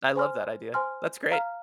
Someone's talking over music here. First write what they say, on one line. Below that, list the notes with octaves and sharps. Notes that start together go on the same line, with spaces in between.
I love that idea. That's great.
C5 G#5 C6 F6
C5 G#5 C6 F6
F5 A#5 F6